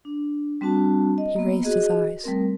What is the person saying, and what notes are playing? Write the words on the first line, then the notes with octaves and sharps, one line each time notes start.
He raised his eyes.
D4
G3 C4 D4 F#4 A5
D#5
A#3 B3
F#4 G#4 D#5
G3 A3 C4 A#4